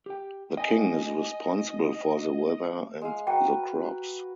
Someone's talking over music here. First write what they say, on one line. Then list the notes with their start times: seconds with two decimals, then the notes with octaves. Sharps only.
The king is responsible for the weather and the crops.
0.06 G4 G5
0.57 D#5 G5 G#5
3.01 G#3 F5
3.27 F#4 A#4 B4 G5